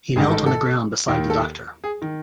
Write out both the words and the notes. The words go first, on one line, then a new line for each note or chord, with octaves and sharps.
He knelt on the ground beside the doctor.
A1 G#2 D#3 G#4
A4
A4
D#2 D#3
A4
G#4
D#3